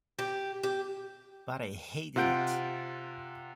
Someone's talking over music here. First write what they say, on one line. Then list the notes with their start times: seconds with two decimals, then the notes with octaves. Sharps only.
But I hated it.
0.19 G4
0.63 G4
2.16 C3 F4 F#5 G6 D7